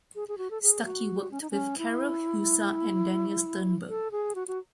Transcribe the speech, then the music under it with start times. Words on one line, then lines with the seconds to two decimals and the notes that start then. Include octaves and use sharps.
Stucky worked with Karel Husa and Daniel Sternberg.
0.15 G#4
0.28 G#4
0.38 F#4
0.51 A4
0.62 G#4
0.85 F#4
1.31 C#4
1.41 D#4
1.51 C#4
1.78 E4
3.89 A4
4.11 G#4
4.35 F#4
4.48 F#4